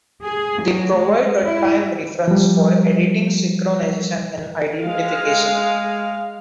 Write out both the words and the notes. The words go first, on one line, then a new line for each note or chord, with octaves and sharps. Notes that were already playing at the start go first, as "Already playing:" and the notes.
They provide a time reference for editing, synchronization and identification.
G#4
F#3
G#3
E4
F3 G3
G#3 F5